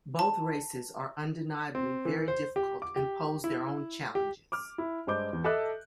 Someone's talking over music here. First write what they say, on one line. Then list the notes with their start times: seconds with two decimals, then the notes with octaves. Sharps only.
Both races are undeniably very difficult and pose their own challenges.
0.19 A5
1.75 C4
2.05 E3
2.28 C5
2.56 G4
2.82 D6
2.96 G4
3.44 E4
4.15 G4
4.52 D6 F6
4.78 E4
5.07 G2 G#3 C5 D6 G6
5.33 E2
5.44 A4 D#5 E5 A5 D6 F#6